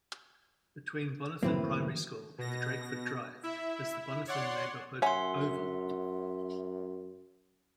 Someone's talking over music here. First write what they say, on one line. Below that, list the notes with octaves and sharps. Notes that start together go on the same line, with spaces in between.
Between Bonython Primary School and Drakeford Drive is the Bonython Neighbourhood oval.
F#2 A2 D#3 F3 F#3 A#3 C4 B4
B2 A#6
E4 E5
C#5 D5 F#5 C6
F#2 C#5 E5 F#5 G#5 C6